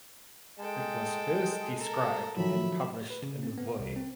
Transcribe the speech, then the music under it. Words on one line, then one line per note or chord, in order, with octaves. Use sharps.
It was first described and published in Voy.
G#3 A4 G5
A4 A#4
D#3 F3 F#3 E5 B5
B4
C#3
C4
B3
C2
C4